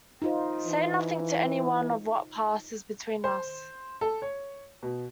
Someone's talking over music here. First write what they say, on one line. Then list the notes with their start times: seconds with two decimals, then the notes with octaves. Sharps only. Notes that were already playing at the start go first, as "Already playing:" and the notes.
Say nothing to any one of what passes between us.
0.22 D#4 F4 C5
0.66 E3
3.24 C5
4.01 A4
4.22 C#5
4.83 B2